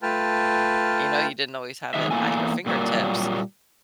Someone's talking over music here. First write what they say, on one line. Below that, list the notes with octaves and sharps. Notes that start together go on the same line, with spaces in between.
you know, you didn't always have it at your fingertips.
A3 F4 B4 G5 A5 F6
D#3 G#3 E5
E2 E3 A3 A#3 E4 G#5
A#2 F#3 G3 A#3 F4